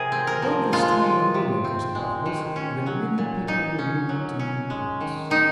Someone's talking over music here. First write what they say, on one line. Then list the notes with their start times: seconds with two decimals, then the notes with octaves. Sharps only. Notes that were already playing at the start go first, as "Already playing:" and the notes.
About this time a rumor got about that many people were moving to new parts.
Already playing: C3 F3 G#4 A#4
0.12 C4
0.27 A#4
0.42 F3
0.73 G#3 F4
1.03 D#3
1.34 C3
1.64 C4
1.95 G#3
2.26 D#3
2.56 C#4
2.86 F#3
3.18 A#2
3.47 A#2 D#4
3.79 C#4
4.09 F#3
4.39 C#4
4.70 G#3
5.01 D#3
5.30 D#3 D#4